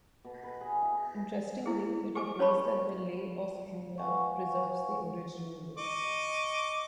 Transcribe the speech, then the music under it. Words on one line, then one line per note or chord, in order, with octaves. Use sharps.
Interestingly, it appears that Lay of Hyndla preserves the original list.
B2
B4
G#4
E4
E4 G#4
G4 G#4 G#5 D6
C#4 C#5 A5 B5 C#6
B4 F5 F#5 G#5 C#6
D#5 C#6 D6